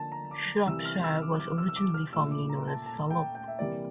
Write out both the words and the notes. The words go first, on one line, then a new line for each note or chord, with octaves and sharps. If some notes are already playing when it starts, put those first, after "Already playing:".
Shropshire was originally formally known as 'Salop'.
Already playing: D3 F3 A#3 A5
A#5
D6
C3 E3 G3 E6
F6
E6
D6
D6
E6
E6
D6
F6
A#2 A3 E6
D6
A#5
A5
A5
G5
G5
E5
C3 E3 G3 A#3 D5